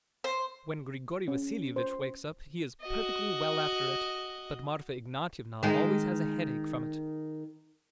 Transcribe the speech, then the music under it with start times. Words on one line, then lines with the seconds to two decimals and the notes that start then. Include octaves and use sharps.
And when Grigory Vassilyevitch wakes up he is perfectly well after it, but Marfa Ignatyevna always has a headache from it.
0.24 C5
1.28 C#4
1.76 C5
2.82 F#4 D#5
5.63 D#3 G#3